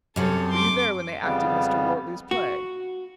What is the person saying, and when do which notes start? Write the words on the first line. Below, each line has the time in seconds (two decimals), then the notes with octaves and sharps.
Were you there when they acted Mr. Wortley's play?
0.16 F#2 C3 A4 C#5
0.50 C6 D6
1.23 F2 C#3 G3 B3
2.31 F#4